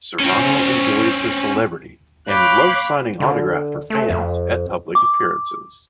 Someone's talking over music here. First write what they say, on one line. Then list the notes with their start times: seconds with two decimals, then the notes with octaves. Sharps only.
Serrano enjoys his celebrity and loves signing autographs for fans at public appearances.
0.20 C4 C#4
2.28 C#5 F5 B5 D6 F#6 G6
3.20 D3
3.90 A3
4.10 F2
4.95 D6